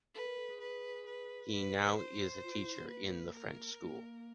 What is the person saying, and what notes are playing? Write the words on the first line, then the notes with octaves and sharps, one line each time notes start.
He now is a teacher in the French School.
A4 B4
A#4
A4
G#4
B4
B4
B4
C5
F4
F4
E4
B3
A#3 B4
A#4
A#3